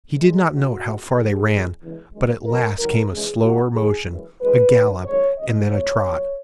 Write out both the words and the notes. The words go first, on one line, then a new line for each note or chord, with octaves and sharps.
He did not note how far they ran; but at last came a slower motion, a gallop, and then a trot.
A#2 F#3 G#3
G#2 E3 G#3 F#4
A#2 G#3
D#2 D#3 F#3 G#4
E2 C#3 E3 G#3
E2 C#3 E3 G#3
F#2 D#3 G#3
E2 C#3 F#3 A#4
G#2 D#3 F#3 A#4
D#2 C#3 E3 G#3 G#4
E2 D#3 G#3 F#4
F#2 D#3 G#3 G#4
F#2 E3 G#3
F#2 E3 G#3 B4
D#2 D#3 F#3
F#2 D#3 G#3 C#5
D#2 C#3 G#3 D#5
E2 B2 G#3 C#5
A#2 F#3